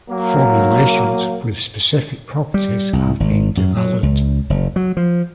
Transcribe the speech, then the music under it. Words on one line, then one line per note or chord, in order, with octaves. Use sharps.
Formulations with specific properties have been developed.
F#3 A#3
G3
C2
G#1
F#2
F#3
C#2
F#1
F#3
F3